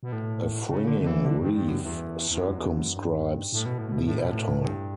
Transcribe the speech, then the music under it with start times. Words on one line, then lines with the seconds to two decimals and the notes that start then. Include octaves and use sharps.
A fringing reef circumscribes the atoll.
0.03 B2
0.12 A2
0.69 C#3
0.87 D3
1.02 D3
1.07 E3
1.25 D3
1.40 G2
1.54 G2
1.68 F#2
1.82 E2
2.31 E2
2.38 F#2
2.58 E2
2.77 F#2
2.96 G2
3.52 A2
3.66 B2
3.78 A2
3.92 B2
4.05 A2
4.18 B2
4.32 A2
4.60 A2
4.65 G2